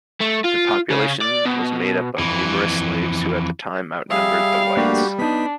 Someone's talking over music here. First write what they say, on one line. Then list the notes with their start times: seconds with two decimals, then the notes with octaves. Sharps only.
The population was made up of numerous slaves, who at times outnumbered the whites.
0.20 A3
0.44 F4
0.91 C#3
1.21 D5
1.46 B2
2.18 F2 E3
4.10 G3 G#4 E5 F5
4.77 A3 A#3 D4 F#4 G4
5.19 B3 D4 D#4 B5